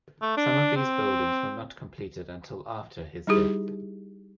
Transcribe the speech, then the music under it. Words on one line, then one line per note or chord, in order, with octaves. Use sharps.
Some of these buildings were not completed until after his death.
A3
D4
C4
G3 D#4 E4 G4 G#4